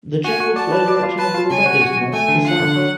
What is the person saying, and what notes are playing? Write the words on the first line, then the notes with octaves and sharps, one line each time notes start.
The general flow direction of the river is north to south.
F#4 G#5
F#4
D5 A5
B4
D5
F4
B4 A5
F4
C#3 G#5
F#4
F#4
F#4
A3 G#5
D3
F4 F#5
D3
F#3